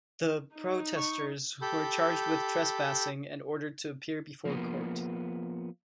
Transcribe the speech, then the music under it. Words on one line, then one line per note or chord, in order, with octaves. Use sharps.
The protesters were charged with trespassing and ordered to appear before court.
D#4
C#6
G4 A4 B5 G6
F3 A#3 B3